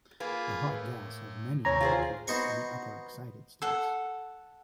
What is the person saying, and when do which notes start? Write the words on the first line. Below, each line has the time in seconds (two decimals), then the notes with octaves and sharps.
The hot gas has many molecules in the upper excited states.
0.20 A#3 F4 G#4 B4
0.70 A2
1.65 D#2 C3 C#5 G#5 A#5
1.81 F4 G#4 C5
2.27 B3 D#4 F#4 C5 F#5 G#5
3.62 A4 F#5